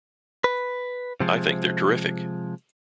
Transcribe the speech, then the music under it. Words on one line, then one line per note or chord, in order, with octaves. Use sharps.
I think they're terrific.
B4
C3 F3 G#3